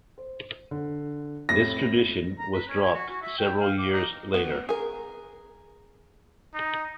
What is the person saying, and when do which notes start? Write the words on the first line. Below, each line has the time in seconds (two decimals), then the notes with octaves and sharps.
This tradition was dropped several years later.
0.18 C5
0.71 D3
1.49 F2 A2 A#6
2.39 A#5
2.54 B4
2.69 C#4
2.83 G#5
2.94 F#4
3.10 F#4
3.22 E5
3.39 G5
3.60 F5
3.78 D6
3.92 D#4
4.34 B3
4.69 G#4 A#4
6.55 D#4